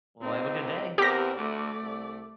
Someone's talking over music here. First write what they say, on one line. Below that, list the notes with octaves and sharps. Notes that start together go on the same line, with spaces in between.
Well, have a good day.
C#2 C4 D#4
E2 C4 G4 A#4 A#6
D2 A3 D5
C2